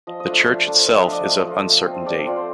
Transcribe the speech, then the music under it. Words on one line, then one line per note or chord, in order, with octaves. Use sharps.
The church itself is of uncertain date.
F3 D#5
D#5
A3 D4 F4
E5
F3 F5
A3 D4 F4
F3 E5
D#5
A3 D4 F4
D5
F3 D#5
A3 D4 F4
A3
C4 F4
A3 D5
C4 F4 D5
C5